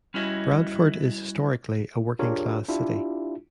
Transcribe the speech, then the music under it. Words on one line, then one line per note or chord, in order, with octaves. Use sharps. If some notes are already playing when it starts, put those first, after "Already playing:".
Bradford is historically a working class city.
G3 C#4 E4 F#4 C#5 D#5
D4 F4 G4 G#4 A#4 C#5
D4 E4 F4 G4